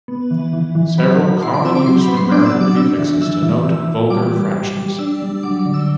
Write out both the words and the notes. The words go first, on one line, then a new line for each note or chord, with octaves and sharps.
Several common-use numerical prefixes denote vulgar fractions.
B3
E3
E3
E3
F#3 B5
F#3
E4 C6
D6
C4 E6
D6
F#3 C6
B5
B3
C6
D4 D6
E6
F#3
D6
D4 E6
E3
E3 E6
E3
E3
E3
G3 D6
G3
G3
G3
D4 E6
G3
F#3 D6
D6
D3
E6